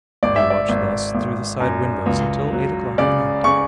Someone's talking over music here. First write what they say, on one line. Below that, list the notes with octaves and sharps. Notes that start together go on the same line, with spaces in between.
They watched thus through the side windows until eight o'clock at night.
G#1 D5
E5
D5
G#1
G#1
F#2
C#2
F#3
C#3 D5
C#3 C#6